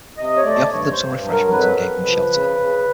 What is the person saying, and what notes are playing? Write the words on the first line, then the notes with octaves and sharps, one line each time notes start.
He offered them some refreshments and gave them shelter.
C3 D#5
C#5
A3 D5
G2 C#5
C5
G2
F#3
A#4
F2 B4
F2
F3
C#3
C#3